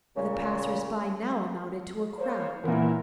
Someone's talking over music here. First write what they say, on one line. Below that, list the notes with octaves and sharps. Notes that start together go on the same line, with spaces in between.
For the passers-by now amounted to a crowd.
A#2 C#3
A#3 C5 C#5
A#2 E3 B3 E4 A#4